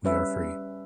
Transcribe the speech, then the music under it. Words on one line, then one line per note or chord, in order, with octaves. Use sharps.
We are free.
G3 C#4 B4 E5